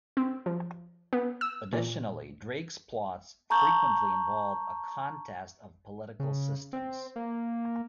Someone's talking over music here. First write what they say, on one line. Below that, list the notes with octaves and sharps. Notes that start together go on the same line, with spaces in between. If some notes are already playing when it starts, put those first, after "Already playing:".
Additionally, Drake's plots frequently involve a contest of political systems.
C4
F3
B3
E6
A#2
A5 A#5 C#6 G6
C#3
C4
A#3